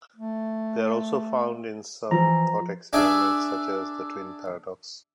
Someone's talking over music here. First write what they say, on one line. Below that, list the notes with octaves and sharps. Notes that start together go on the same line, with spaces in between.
They are also found in some thought experiments such as the twin paradox.
A3
E3 F3 A#5
D4 G#4 D5 E5